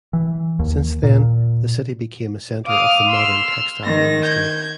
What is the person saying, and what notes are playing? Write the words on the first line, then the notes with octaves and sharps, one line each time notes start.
Since then, the city became a center of the modern textile industry.
E3
D#2
A#2
F5 D6 D#6 F6
C6 E6 F6
D#3 A#6
G6 G#6